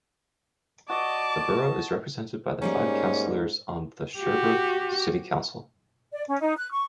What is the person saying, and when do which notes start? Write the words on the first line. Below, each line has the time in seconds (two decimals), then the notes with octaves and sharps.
The borough is represented by five councillors on the Sherbrooke City Council.
0.89 F#4 D5 D#5 A5 D6
2.62 G#2 G3 A#3 C#4 D#4
4.19 F#4 G4
6.12 D5
6.28 C#4
6.41 D#4
6.57 F#6
6.71 C#6